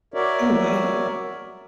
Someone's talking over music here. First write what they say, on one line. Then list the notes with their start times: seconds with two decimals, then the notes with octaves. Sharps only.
Oh, wow.
0.14 F#4 A#4 C#5 D5 E5